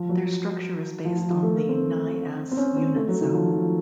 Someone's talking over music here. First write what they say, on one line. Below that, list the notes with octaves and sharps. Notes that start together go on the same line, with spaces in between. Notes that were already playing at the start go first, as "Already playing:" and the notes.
Their structure is based on the NiAs unit cell.
Already playing: F3
F#3
F3
F3
F3
A3
A#3
C4
C4
C#4
C4
A3
F#3
D#3
F3
F3